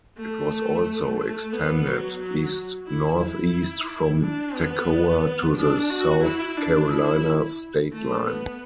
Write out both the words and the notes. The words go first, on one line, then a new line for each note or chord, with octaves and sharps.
It was also extended east-northeast from Toccoa to the South Carolina state line.
A3
A3
B3
F#3
F#3
E4
E4
D4
B3
D4
F#4
E4
D4
E4
A3
B3